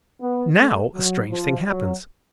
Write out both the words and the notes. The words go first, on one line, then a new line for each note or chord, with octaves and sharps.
Now a strange thing happens.
B3
A3
F#3
F3
F#3